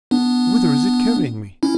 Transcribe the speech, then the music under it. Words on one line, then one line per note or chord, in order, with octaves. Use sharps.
Whither is it carrying me?
B3 D4
C#4 E4